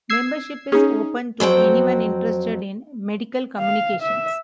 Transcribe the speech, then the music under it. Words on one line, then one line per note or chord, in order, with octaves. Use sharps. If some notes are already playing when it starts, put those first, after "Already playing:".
Membership is open to anyone interested in medical communications.
E6 G#6 C7
C#4 D#4 G#4
F2 F#3 C4 G5
F5
E5